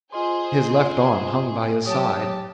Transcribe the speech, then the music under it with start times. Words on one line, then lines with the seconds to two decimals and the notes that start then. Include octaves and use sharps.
His left arm hung by his side.
0.12 F4 G#4 C5 D#5 C6
1.86 F#3 G4 C#5 A5 D#6